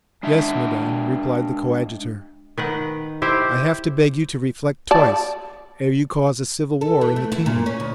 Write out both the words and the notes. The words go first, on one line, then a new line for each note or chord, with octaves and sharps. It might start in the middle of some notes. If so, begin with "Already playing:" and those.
"Yes, madame," replied the coadjutor; "I have to beg you to reflect twice ere you cause a civil war in the kingdom."
G#3 D4 E5
D#3 B4 F#5
E4 G4 C5 G5
D5 A5
A4
E3
A3
E4
A#2
C#4
D2